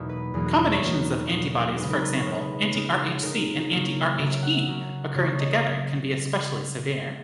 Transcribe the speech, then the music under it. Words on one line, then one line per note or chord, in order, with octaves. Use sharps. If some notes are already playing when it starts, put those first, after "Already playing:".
Combinations of antibodies, for example, anti-Rhc and anti-RhE occurring together can be especially severe.
Already playing: E2 B2 F#3 A#3 D#4 E5
B4
E2 B2 F#3 A#3 D#4 G#4
F#4
D#5
C#5
E2 B2 F#3 A#3 D#4
E2 B2 F#3 A#3 D#4
C#3 G#3 D#4 B4
A#4
B4
C#5
C#3 G#3 D#4 B4
C#3 G#3 D#4
C#3 G#3 D#4 A#4
C#3 F#3 A#3
C#3 F#3 A#3 E5
E5
F#5
E5
C#3 F#3 A#3
C#3 F#3 A#3 C#5
C#5
D#5
D#5